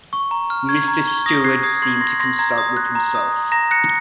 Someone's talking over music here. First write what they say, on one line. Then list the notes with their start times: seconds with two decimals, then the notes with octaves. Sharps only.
Mr. Stewart seemed to consult with himself.
0.13 C#6
0.31 A#5
0.50 F6
0.69 C#6 G#6
0.88 A#5
1.07 C#6
1.26 D#6 A#6
1.44 F#6 G#6 C7
1.63 D#6 G#6 C7
1.82 C6 G#6 C7
2.01 C6 A#6
2.20 C6 A#6
2.39 A#5 G#6
2.58 D#6
2.77 F#6
2.95 A#5
3.15 D#6
3.33 A#5
3.52 A#5 A#6
3.71 F#6 A#6 C#7